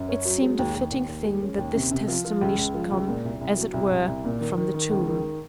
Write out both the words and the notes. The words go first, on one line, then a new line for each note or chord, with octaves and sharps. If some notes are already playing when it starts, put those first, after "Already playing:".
It seemed a fitting thing that this testimony should come, as it were, from the tomb.
Already playing: F#2
C#4
F#3
G#3
D#2
D#2
D#2
D#2
G#3
C#4
D#2
C3
C3
F3
F3
C#2
C#2
F3
C#2
A#2
C2
C2
F#3
C2
C2
C2
A#2
D#3
D#3
D#3
C#2
D#3